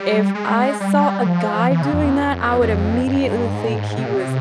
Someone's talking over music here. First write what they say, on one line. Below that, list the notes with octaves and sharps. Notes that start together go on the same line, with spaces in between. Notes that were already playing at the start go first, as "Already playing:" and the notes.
If I saw a guy doing that, I would immediately think he was
Already playing: G3
G#3
G3
G3
F3
E3
C#3
F2
E2
F2
F2
G2
F2
G2
G#2
A#2
G#2
C3
A#2
C3